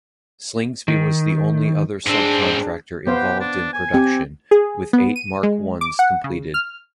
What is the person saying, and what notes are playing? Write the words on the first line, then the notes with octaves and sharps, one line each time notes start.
Slingsby was the only other sub-contractor involved in production with eight Mark Is completed.
D#3
G#2 C4 D4 G#4
B3 G4 C5 F5
D4
G#5
C4 G4
G#4
B3
D#7
G#3
D6
F#5
C#3
F6